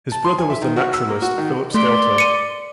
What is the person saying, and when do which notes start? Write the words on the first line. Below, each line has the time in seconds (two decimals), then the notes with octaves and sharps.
His brother was the naturalist Philip Sclater.
0.12 A5
0.25 C6
0.38 G#5
0.50 E5
0.62 D#3
0.76 F#4
0.94 E6
1.09 A#3
1.22 F#4
1.38 D#3
1.74 A3 D5 C6 B6 D7
2.18 C#7 D#7